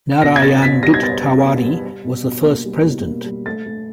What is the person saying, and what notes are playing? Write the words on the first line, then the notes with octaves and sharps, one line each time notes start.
Narayan Dutt Tiwari was the first President.
B2 A#6
G#6
B3 A6
B2 B6
G3 A#6
G#6
B3 A6
G3
B3
G3
G3
B2
B2
A#3
G3
B2
A#3
G3
A3 A6
A3